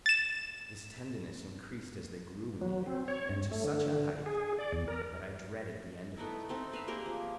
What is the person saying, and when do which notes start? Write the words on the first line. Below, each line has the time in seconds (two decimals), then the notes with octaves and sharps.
This tenderness increased as they grew in years, and to such a height, that I dreaded the end of it.
0.06 A6 E7
2.62 F#3
2.86 C4
3.08 C#5
3.29 G2
3.52 A3
3.65 D3
4.26 G#4
4.59 D5
4.72 E2
4.88 A#4
6.17 A3 B3 D#4 E4
6.49 A3 C4 D#4
6.72 D#4 B4 E5 F5
6.87 A#3 G4 G#4 A#4
7.06 F3